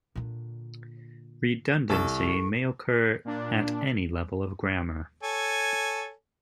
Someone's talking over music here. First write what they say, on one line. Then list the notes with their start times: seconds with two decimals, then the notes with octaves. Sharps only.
Redundancy may occur at any level of grammar.
0.15 A#2 D3
1.90 C2 A4 C#6
3.25 A#2 D4
5.23 A4 C#5 G#5